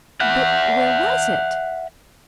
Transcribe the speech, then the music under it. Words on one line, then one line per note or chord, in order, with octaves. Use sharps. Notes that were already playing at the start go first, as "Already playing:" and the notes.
But where was it?
E5 F#5